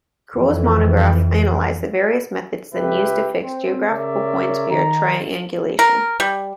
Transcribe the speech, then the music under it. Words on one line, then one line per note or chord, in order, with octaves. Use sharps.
Crul's monograph analyzed the various methods then used to fix geographic points via triangulation.
F2 E3
C#2 G4 B4 E5
C4
C#3 A#4 C#5 D5 E5
D#3 A#5
A#4
G3